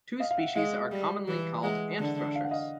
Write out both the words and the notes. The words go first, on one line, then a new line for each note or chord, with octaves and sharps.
Two species are commonly called "ant-thrushes".
D#5 F5
F5
E5 F#5
G#3 D#5 F5
G3
E3
G#3 E5 F#5
D3
F5
F#5
D#5 F5